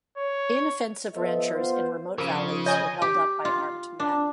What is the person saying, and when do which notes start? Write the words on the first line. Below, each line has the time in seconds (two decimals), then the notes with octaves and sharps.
Inoffensive ranchers in remote valleys were held up by armed men.
0.18 C#5
1.14 F3 B3 A4 D#5 E5
1.54 B3 F4 C5
2.18 C#3 F3 A#4 D6
2.66 C#5 D#5 G#5
3.02 G4
3.45 F4
4.00 D4